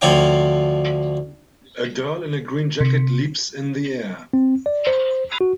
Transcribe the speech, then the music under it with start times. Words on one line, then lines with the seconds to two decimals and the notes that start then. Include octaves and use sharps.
A girl in a green jacket leaps in the air.
0.01 D2 F3 F4 C#5 G5 D6
2.81 C3
4.33 C4
4.66 D5
4.87 C5
5.41 F#4